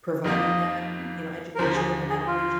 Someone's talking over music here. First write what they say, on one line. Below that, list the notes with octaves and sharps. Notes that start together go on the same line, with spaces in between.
providing that, y you know, education and outreach
F2 D#3 G3 A#3 F4 D#5
A#4
D#2 D3 F3 C5
G#4
G#4
F4